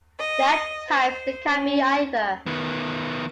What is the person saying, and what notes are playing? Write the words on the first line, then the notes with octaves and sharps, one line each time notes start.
There are types that can be either.
D#5
C5
C#4
D#3 B3